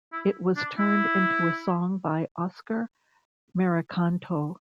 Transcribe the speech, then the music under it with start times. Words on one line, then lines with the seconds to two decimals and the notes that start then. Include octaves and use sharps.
It was turned into a song by Oskar Merikanto.
0.12 E4
0.56 D4
0.78 E4